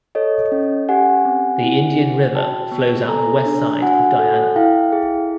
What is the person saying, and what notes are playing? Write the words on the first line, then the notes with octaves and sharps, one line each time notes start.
The Indian River flows out the west side of Diana.
A4 C#5 D#5
C#4
G4 F#5 G#5
C4
E4
G#4
F#4 G5 A5
B3
A4 G#5 A#5
D4
F#4 F#5 G#5
A4
E4 F5 G5
G#4